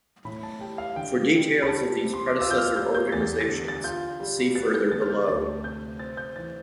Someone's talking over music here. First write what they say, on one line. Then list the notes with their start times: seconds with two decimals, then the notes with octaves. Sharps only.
For details of these predecessor organizations, see further below.
0.25 A2 B5
0.43 A5
0.60 G3 G5
0.78 F5
0.96 D3 G5
1.32 G3
1.62 B5
1.68 G3 A5
2.04 C3
2.13 C6
2.27 D6
2.41 F4 E6
2.51 G6
2.58 F6
2.76 G3 G6
2.95 G6
3.12 E2 A6
3.41 A6
3.48 D3
3.68 A6
3.84 F4 G6
4.20 G3
4.55 B3 A6
4.74 G6
4.91 D3 A6
5.02 F6
5.09 G6
5.28 D2 A6
5.64 C3 G6
5.99 C4 A6
6.17 G6
6.36 E3 A6